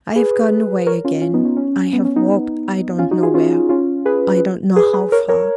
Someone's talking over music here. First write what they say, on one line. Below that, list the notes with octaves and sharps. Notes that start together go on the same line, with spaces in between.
I have gone away again--I have walked, I don't know where, I don't know how far.
G#4 B4
A#4 C#5
C#4 F4
C#4 F4
B3 D#4
C#4
C#4
B3
C#4
B3 D#4
C#4 F4
D#4 F#4
F4 G#4
C#4 F4
C#4 F4
G#4 B4
G#4 B4
G#4 B4
A#4 C#5
A#4 C#5